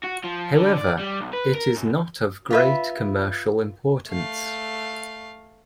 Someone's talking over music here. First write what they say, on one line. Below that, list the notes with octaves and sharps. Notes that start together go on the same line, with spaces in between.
However, it is not of great commercial importance.
F#4
F3
D3
D5
G3
B1
B4
A#4
F#2
F4 B4 E5
A3 F5